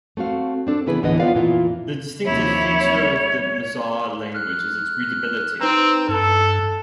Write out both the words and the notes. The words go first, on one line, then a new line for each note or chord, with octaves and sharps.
The distinctive feature of the Mizar language is its readability.
A3 C4 F#4 F5
C4 D4 A4
C#3 E3 B3 E4 G#4 B4
D2 A2 D3 E3 B3 D#5
E3 B3 F4 B4 D5 F5
F2 A#2 E3 E4 F4
D#2 C3 F3 E4 C#5
G3
F6 F#6
C4 D#4 B4 A#5
G2 A4